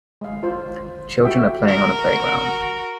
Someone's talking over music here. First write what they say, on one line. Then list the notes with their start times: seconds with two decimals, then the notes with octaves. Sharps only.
Children are playing on a playground.
0.21 G#3 F5
0.43 F4 C5
1.24 F#4 G4 A4 E5 G5
1.68 F#4 A#4